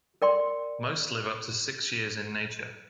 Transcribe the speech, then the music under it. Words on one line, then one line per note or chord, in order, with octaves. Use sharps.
Most live up to six years in nature.
A#4 D5 G5 C6